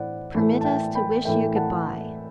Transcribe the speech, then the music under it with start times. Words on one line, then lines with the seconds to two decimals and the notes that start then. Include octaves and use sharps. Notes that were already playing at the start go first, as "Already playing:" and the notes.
Permit us to wish you good-by.
Already playing: A2 E3 A3 E4 C5 D5 F#5
0.34 A2 E3 A3 E4
0.61 A5
0.64 E5 G5
0.95 G5 B5
1.25 A2 E3 A3 E4 E5 G5
1.56 F#5 A5